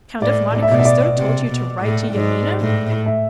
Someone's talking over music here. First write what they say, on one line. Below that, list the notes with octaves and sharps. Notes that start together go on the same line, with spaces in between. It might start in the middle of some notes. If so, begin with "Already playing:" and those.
"The Count of Monte Cristo told you to write to Yanina?"
A2 D5
D5
E5
B2 D5
E5
D5
C3
B2
A2
G#2
A2
E5